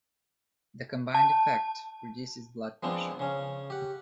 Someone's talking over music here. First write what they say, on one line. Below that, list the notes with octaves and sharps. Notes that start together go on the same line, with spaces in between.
The combined effect reduces blood pressure.
A5
F3 G#3 B3 C4 D4
C#3 C#4
G4 F#5